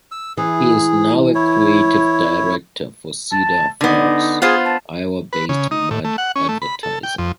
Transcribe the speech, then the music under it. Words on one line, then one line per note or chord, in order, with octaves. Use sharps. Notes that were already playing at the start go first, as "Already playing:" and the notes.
He is now a creative director for Cedar Falls, Iowa-based Mudd Advertising.
E6
E3 G#4
E4 C#5
A5
D3 B3 D#4
B3 F4 G#4 C5
A5
B4
C#3
D#4
A2
A3
F#5
C#4
A3
B5
A4
G5
F2